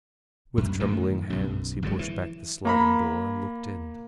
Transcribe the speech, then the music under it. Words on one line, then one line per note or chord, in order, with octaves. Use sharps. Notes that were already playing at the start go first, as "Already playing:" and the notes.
With trembling hands he pushed back the sliding door and looked in.
F#2
F#2 A2 D#3 E3
B1 F#2
G#1 G#2 B2 F#3
E3
A#3 A#5 B5